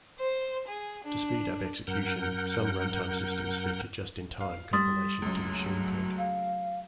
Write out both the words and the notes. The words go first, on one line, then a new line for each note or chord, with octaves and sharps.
To speed up execution, some runtime systems feature just-in-time compilation to machine code.
C5
G#4
D4
F#2 A#4 F#5 G6
F5
G3 C6 D#6 A6
C#2 F#2 C#3 F#3 A3
F5